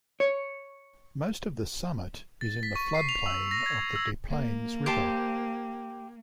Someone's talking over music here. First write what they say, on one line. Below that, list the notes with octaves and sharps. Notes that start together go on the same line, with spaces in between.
Most of "Summit" is in the floodplain of the Des Plaines River.
C#5
A6
B6
C#6
C7
F7
E6
A#6
G#6
E6
A#3
G4 C5 A5